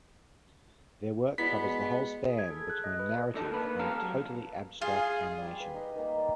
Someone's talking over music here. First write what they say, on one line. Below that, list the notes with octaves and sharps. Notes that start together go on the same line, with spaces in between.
Their work covers the whole span between narrative and totally abstract animation.
G#3 B3 E4 F#4 D5 B6
G#4
G#6
A4
F#6
D#5
B4
D3 D#4 A4
A#3 B4
F2 G3 C#4 A4 F5 A#5
F#3
F4 G#4 F5
G3
B4 B5
D#4 D#5
D#3 A#3
D5